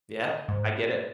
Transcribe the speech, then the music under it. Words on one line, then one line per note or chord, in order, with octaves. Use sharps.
Yeah, I get it.
D#5
G#2